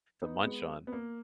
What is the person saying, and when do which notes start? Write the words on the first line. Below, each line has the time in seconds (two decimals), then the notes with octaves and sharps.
to munch on.
0.22 B3 D#4
0.44 G#3 B3
0.87 B3
0.93 A#3